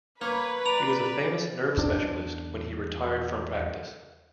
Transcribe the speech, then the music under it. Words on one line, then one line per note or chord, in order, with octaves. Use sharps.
He was a famous nerve specialist when he retired from practice.
A#3 B4 C#5
D5 A#5
E2 D4